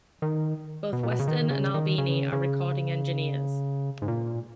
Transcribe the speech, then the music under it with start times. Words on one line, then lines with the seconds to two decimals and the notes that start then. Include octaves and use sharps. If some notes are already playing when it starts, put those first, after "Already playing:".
Both Weston and Albini are recording engineers.
0.22 D#3
0.93 B2
1.03 A#2
1.11 B2
1.19 C#3
1.28 D#3
1.50 C#3
1.74 D#3
1.98 C#3
2.33 C#3
4.02 G#2
4.08 A#2